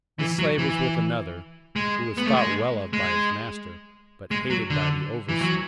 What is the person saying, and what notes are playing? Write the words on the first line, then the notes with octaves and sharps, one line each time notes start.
This slave was with another, who was thought well of by his master, but hated by the overseer.
E3
F#3
E3
G#3
B3
A3
G#3
G#3
G#3
F#3
D3
E3
F#3